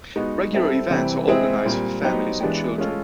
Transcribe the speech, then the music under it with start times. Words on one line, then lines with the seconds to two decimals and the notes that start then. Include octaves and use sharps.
Regular events are organised for families and children.
0.16 G#3 B3 D#4 F#4
0.53 G3 C4 E4 A4
0.91 C3 E3 G3 C4
1.28 G#3 C4 E4 G#4
1.66 A#2 G3 C4
2.03 F#3 B3 D#4 G4 C5
2.40 E3 G#3 B3 D4 G4
2.78 G#3 C#4 F4 A4